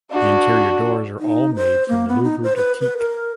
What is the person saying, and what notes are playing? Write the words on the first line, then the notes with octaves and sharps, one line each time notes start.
The interior doors are all made from louvered teak.
D4 F#4
D#4
C5
A#3
B3
D#4
C5
B4
B4
A#4